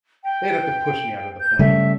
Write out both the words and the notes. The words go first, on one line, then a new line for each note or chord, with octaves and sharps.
They'd have to push me out of the plane.
G5
G6
C#3 G3 A3 E5